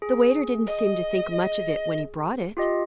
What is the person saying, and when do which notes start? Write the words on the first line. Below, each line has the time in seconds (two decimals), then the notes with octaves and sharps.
"The waiter didn't seem to think much of it when he brought it."
0.02 G#4
0.68 D#5
2.57 F4 G4 D#5